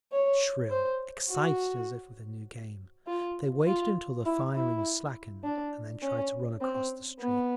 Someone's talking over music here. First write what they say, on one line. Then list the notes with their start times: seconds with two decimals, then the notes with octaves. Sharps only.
Shrill, excited as if with a new game, they waited until the firing slackened, and then tried to run across the street....
0.12 C#5
0.70 C5
1.29 F#4
3.07 F4
3.66 F4
4.25 E4
4.55 E4
5.43 D4
6.02 C#4
6.61 C4
7.20 B3